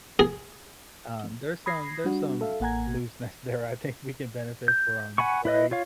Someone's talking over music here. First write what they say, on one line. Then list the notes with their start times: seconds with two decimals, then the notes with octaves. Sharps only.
um, there's some there's some looseness there I think we can benefit from, right?
0.19 G#4
1.66 B5 D#6 G#6 A#6 C7
2.05 G3 D4 F#4
2.41 A4 E5 F5
2.60 A1 A#3 F#5 G#5 A#5 G#6
4.68 G6
5.18 F#5 G#5 B5 C#6
5.45 E4 B4 D#5
5.71 F4 C#5 F5